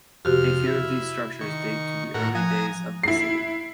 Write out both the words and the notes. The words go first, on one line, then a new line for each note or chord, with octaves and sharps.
A few of these structures date to the early days of the city.
F2 C3 F#4 G4 F6
E4
D#3 C#6
A2 F#4 A#4
F3 G#5 A#5 D#6 F#6
E4 C7